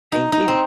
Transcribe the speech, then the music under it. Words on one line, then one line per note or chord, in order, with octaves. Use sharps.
Thank you.
D#4
D#4
C4